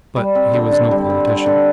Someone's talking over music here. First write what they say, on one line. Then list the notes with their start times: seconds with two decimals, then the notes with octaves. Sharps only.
But he was no politician.
0.16 G3
0.35 C4
0.53 D3
0.72 D3
0.91 G3
1.10 C4
1.27 D3
1.46 D3